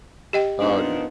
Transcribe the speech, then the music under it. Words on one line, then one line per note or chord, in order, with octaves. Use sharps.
Oh, geez
G4 D#5 G5
A#2 F3 B3 D4 D#4